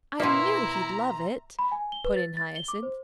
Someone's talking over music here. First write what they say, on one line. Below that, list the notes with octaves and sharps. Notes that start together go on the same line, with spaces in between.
"I knew he'd love it," put in Hyacinth.
B2 A#3 E4 E5 A#5 C6
B5
G#5
G7
B4
A6
A6
G7
D6
C5